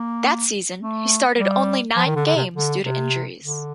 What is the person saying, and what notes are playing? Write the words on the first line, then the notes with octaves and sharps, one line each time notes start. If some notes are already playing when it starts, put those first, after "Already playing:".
That season, he started only nine games due to injuries.
Already playing: A#3
A3
G3
F3
D#3
D3
D3
C3
D3
C3
D3